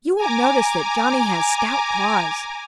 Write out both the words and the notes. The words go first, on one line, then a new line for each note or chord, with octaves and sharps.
You will notice that Johnny has stout claws.
G#5 A#5 D6